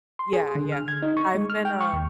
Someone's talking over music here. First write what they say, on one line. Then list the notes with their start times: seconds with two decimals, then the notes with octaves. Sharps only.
Yeah, yeah, I've been, um
0.19 C6
0.33 G#4
0.55 D3
0.72 F6
0.88 G#6
1.03 D#4
1.17 C#6
1.35 G#3
1.50 F6
1.65 G5
1.81 C#6
1.93 D#2